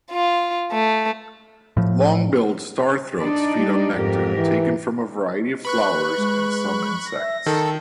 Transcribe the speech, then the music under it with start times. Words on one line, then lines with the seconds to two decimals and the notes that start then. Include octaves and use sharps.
Long-billed starthroats feed on nectar, taken from a variety of flowers, and some insects.
0.12 F4
0.72 A3
1.77 A2 F3
3.18 D4 D#4 D5
3.58 G3
3.93 F2 G#2 G4 A#4
4.37 E3
5.65 B4 B5 C#6 F#6
6.17 G#3
7.06 A#6
7.19 E5
7.46 D#3 A4 A5